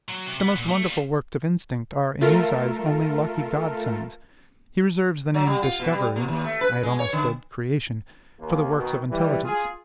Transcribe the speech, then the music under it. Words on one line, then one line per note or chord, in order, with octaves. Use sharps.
The most wonderful works of instinct are, in his eyes, only lucky GOD-SENDS; he reserves the name DISCOVERY--I had almost said creation--for the works of intelligence.
F#3
C3
B4 F#5
A#2
A3
G3 F4
A3 F4 A4 A#4
F#3
G3
F4
B2
G3
A#2
D#2
A3
B4
G#3
C#5
D3
D#2 A#3
B2 D#3
E3 G3
F4 G#4